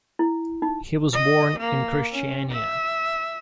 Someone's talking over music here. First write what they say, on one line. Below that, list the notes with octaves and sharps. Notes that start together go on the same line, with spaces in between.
He was born in Kristiania.
E4
D#4
D#5
A#3
C#4
E5